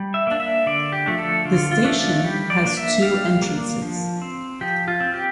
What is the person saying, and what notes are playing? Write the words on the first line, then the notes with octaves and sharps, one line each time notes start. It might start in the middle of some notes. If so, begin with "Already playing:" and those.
The station has two entrances.
Already playing: G3
E5
A#3 D4
E5
D3 D5
G4
F3 A3 D4
A4
D3 F4
F4
F3 A3 D4
F4
G3 G4
D5
A#3 D4
E5
G3 F5
A#3 D4
F3
C4
F3 G4
F4
C4
G4